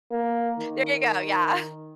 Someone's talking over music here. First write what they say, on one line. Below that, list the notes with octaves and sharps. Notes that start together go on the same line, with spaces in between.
There you go, yeah.
A#3
D#3